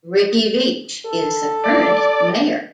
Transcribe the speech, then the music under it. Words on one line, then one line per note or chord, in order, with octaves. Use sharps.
Rickey Veach is the current mayor.
A4
D5